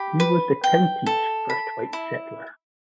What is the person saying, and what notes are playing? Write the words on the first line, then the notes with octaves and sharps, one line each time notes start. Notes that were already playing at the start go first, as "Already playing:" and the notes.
He was the county's first white settler.
Already playing: G4 B5
B4
G5
A4
B5
E4